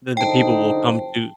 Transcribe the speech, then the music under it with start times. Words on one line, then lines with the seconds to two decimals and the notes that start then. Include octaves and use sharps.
Then the people will come to
0.17 F#1 D3 F3 D#4 C5 G5 A5